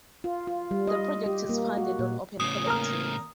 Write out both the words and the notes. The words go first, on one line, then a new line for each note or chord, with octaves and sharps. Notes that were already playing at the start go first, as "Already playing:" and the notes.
The project is funded on Open Collective.
F4
F4
G3
D#5
G4
A#3
F#4
A#2
A2 C#3 D#6
A#3 A#5 F6